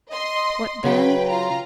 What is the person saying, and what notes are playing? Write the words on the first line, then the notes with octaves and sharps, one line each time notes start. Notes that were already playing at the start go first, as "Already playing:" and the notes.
What then?
D#5 C6
C#3 F#3 B4 G5 B5
F4 A#5